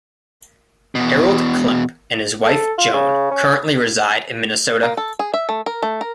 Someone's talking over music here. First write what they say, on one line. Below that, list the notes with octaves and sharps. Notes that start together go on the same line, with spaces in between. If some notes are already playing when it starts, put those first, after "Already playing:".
Harold Klemp and his wife, Joan, currently reside in Minnesota.
E2 B2
A4
F4
C#3
C#4
A#3
A4
G#4
E5
A3
A#4
A3
A#4